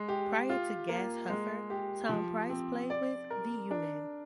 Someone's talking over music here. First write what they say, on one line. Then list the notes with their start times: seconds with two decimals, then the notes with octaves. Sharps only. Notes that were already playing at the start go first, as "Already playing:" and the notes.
Prior to Gas Huffer, Tom Price played with The U-Men.
Already playing: G#3
0.08 G4
0.49 F4
0.89 A#3
1.30 G#3
1.70 G4
2.09 F3
2.50 C4
2.90 D5
3.30 A#4
3.71 D4